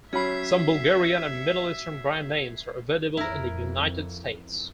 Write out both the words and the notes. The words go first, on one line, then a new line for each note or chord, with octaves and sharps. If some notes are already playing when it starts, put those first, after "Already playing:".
Some Bulgarian and Middle Eastern brand-names are available in the United States.
F#3 C#4 E5 B5 G#6 B6 C7
F2 E4 A#4